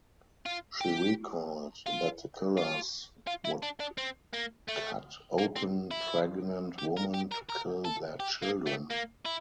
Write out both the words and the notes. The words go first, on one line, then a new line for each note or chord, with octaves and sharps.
She recalled that the killers would cut open pregnant women to kill their children.
F4
G4
F4
F4
F4
E4
D4
D4
C4
A#3
A3
A#3
C4
E4
G4
A#4
G4
A#4
A#4
A4
G4
A#3
A3
A#3
E4